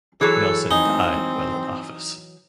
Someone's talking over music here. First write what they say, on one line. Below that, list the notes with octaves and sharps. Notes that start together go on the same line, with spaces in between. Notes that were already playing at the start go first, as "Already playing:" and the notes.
Nelson died while in office.
E3 F#3 G#4 A4
C4 D#4 G#5